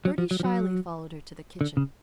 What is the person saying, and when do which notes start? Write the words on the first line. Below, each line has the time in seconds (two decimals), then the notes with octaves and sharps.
Bertie shyly followed her to the kitchen.
0.05 F#3
0.18 F3
0.31 F#3
0.40 F3
0.44 F#3
1.61 D3
1.77 C#3